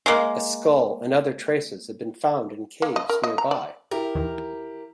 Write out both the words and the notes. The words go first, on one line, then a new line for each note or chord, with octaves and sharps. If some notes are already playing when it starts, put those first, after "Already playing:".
A skull and other traces have been found in caves nearby.
G#3 A#3
A#3
D#5
A#4
D#5
A#5
D5
E4 G4 A#4
D#2 D#3 E3